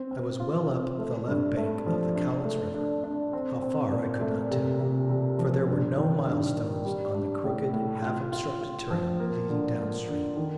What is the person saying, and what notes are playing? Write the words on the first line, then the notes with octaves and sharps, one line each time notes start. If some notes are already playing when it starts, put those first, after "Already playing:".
I was well up the left bank of the Cowlitz River; how far I could not tell, for there were no milestones on the crooked, half-obstructed trail leading downstream.
Already playing: C4
C4
F4
C4
A3
G2
A3
F3
D4
A3
D4
D4
C4
C4
A#2
A3
C3
C3
C3
F3
G2
D#3
G2
A#3
G3
D4
A2
A2
F4
F4
F4
F3
A#3
D3
A#3
D3
D#3